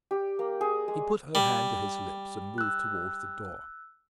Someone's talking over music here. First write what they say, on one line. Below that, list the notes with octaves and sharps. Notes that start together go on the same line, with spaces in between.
He put her hand to his lips, and moved towards the door.
G4
A#3
G#4
G#3
G3
E6 F#6